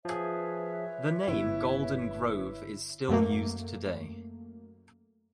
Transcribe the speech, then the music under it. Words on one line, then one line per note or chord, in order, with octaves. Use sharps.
The name Golden Grove is still used today.
F3 G#4 B4 C#5 E5
G1 E4
F#2 A3 A#3